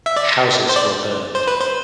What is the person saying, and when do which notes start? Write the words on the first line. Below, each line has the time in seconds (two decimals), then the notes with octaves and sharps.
Houses were burned.
0.06 E5
0.16 D5
0.69 C5
0.76 D5
1.35 C5
1.47 B4
1.61 C5